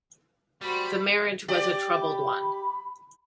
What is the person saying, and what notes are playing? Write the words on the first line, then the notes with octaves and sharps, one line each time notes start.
The marriage was a troubled one.
G3 F#4 C5 B5
G4 D5
B5